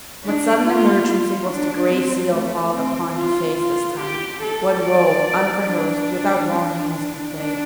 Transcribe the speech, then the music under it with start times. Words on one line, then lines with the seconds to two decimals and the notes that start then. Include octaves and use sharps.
What sudden emergency was the Gray Seal called upon to face this time--what role, unrehearsed, without warning, must he play?
0.24 D4
0.66 F4
1.08 F4
1.49 D4
1.91 C4
2.33 A3
2.75 C4
3.17 F4
3.58 F4
4.00 G4
4.42 A4
4.84 D5
5.67 D4
6.51 D4
7.34 D4